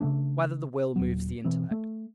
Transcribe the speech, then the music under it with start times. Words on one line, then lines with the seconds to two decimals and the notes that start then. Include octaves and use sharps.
Whether the Will Moves the Intellect?
0.01 C#3 F3 A3 D4
0.96 D#1 F#3
1.45 B2 E3 C4
1.71 A3